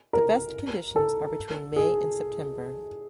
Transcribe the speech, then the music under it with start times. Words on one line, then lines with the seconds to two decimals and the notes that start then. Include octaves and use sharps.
The best conditions are between May and September.
0.13 A#4
0.96 A4
1.76 G#4